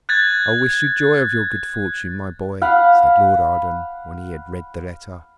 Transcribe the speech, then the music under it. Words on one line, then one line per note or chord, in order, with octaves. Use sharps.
"I wish you joy of your good fortune, my boy," said Lord Arden when he had read the letter.
F#6 G#6 A6
F5 F#5 B5